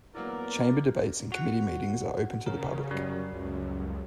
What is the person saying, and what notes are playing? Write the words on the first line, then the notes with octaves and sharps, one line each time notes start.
Chamber debates and committee meetings are open to the public.
E3 F#3 A#3 B3 A#4 D5
F#4 F#5
C#3 A#4
F#2 G3
C#2 F#2